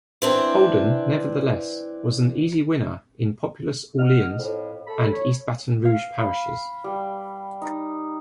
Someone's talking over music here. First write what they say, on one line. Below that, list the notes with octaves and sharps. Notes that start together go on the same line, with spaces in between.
Holden nevertheless was an easy winner in populous Orleans and East Baton Rouge parishes.
E3 C4 D4
D#5 F#5 F6
F2 A2
A4 B5
C#5
F5
B5
G3
D#4